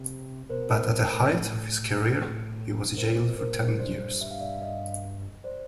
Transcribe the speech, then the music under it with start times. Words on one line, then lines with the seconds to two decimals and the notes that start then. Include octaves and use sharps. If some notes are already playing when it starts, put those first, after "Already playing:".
But at the height of his career, he was jailed for ten years.
Already playing: C3
0.50 B2 A#4 C5
0.78 B2
1.04 A2
1.33 A2
2.96 A2 A#4 C5
3.17 B2
3.38 A#2 A#4 C5
3.58 G#2
3.79 G2 C5 D5
4.21 E5
4.31 F5
4.41 D5 E5
4.62 D#5 F5
5.44 C5 D5